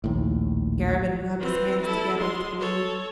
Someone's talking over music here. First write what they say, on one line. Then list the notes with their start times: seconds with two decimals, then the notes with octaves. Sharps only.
Garabin rubbed his hands together with glee.
0.04 A#1 D#2 A2
1.40 E3 C4
1.82 E4 A4
2.18 G#3 C6
2.61 A4 C#5